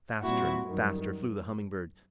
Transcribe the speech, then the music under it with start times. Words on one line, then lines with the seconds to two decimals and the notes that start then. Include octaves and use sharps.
Faster and faster flew the Humming-Bird.
0.22 A#2 G3 C4 E4 F#4
0.65 F#2 D#3 G3